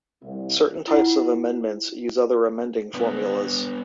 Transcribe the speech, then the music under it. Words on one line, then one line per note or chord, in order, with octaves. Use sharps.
Certain types of amendments use other amending formulas.
C2
E4 F4 F#5
B3 D4